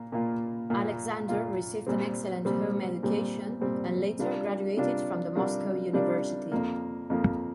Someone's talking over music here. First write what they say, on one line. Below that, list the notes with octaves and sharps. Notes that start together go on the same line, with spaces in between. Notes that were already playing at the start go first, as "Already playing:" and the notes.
Alexander received an excellent home education and later graduated from the Moscow University.
Already playing: A#2 A#3
A#2 A#3 F4
A#2 A#3 F4
A#2 A#3 F4
A#2 G3 C4
A#2 G3 C4
A#2 G3 C4
A#2 G3 C4
C3 G3 D4 F4 A#4
C3 G3 D4 F4 A#4
C3 G3 D4 F4 A#4
C3 G3 D4 F4 A#4
F2 F3 A#3
F2 F3 A#3